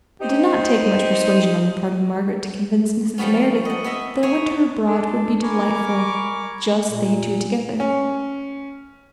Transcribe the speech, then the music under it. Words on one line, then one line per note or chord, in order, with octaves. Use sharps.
It did not take much persuasion on the part of Margaret to convince Mrs. Merideth that a winter abroad would be delightful--just they two together.
C4 D#4 G4 C5
F3 G3 A3 B3 C#4
D#5 F#5
B3 D#5 E5
G#4 C#5 E5 G#5
D4 A4
A#4 G#5 B5 C#6 D6
A#2
C#4